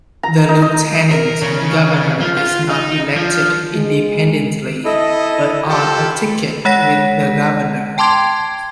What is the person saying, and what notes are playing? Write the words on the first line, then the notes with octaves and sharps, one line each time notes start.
The lieutenant governor is not elected independently, but on a ticket with the governor.
A#5
D#4
D#5
A#4
C#3
F3
F4
D#4
F3
G#3
E4 A4 D#5
F4 G4 A4 C5 A#5
G#5 B5
G#3 C#5 F#5 A#6 B6
G5 A5 C6 D6 G#6